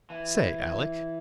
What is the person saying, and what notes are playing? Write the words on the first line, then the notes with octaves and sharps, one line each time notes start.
"Say, Alec."
E3